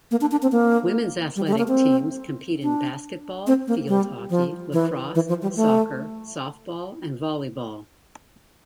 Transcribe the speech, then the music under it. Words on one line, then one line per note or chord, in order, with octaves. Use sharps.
Women's athletic teams compete in basketball, field hockey, lacrosse, soccer, softball and volleyball.
A#3
D4
D4
C4
A#3
G3
G3
A3
A#3
C4
D4
C4
A#3
G3
F3
E3
E3
F3
G3
A3